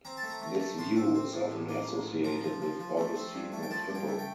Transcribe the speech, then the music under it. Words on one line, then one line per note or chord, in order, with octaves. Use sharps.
This view is often associated with Augustine of Hippo.
C4 A#5
A5
A3
A#5
A3
A3
A2 C6
C4
C4
A2
A1
A#3
A1
A1
F3 A#5
F3
F3
F3
A3
C4
G2
A3
G5
F3 A5
G2
G5
A3
G5